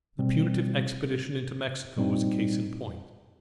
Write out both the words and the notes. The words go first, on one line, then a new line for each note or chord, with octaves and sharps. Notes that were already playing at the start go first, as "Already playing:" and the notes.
The punitive expedition into Mexico was a case in point.
B2 G3 C4
A#2 G3 C4 D#4